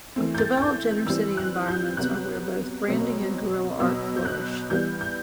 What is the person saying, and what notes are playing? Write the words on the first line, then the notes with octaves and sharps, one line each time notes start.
Developed, inner-city environments are where both branding and guerrilla art flourish.
E3 A3 C4
G6
A6
A6
G6
E3 G3 C4 E6
F#6
G6
C3 F#3 B3 F#6
B2 F#3 C4
B2 F#3 B3 E6
G6
F#6
E3 G3 B3 G6
G6